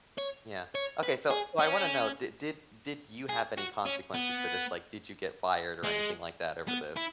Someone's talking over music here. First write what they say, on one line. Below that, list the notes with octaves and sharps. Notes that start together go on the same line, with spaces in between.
Yeah. Okay, so so I wanna know, did did did you have any consequences for this? Like, did you get fired or anything like that over this?
C#5
C#5
B4
G#4
C#4
G#4
F#4
C#4
B3
G#3
B3
E4